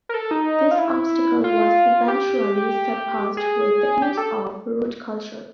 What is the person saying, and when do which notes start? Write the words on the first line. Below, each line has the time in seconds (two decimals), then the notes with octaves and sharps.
This obstacle was eventually surpassed with the use of root cultures.
0.09 A#4
0.14 A4
0.31 D#4
0.71 F4
0.79 E4
1.44 F4
2.08 G4
3.37 G#4
4.02 G4
4.17 A4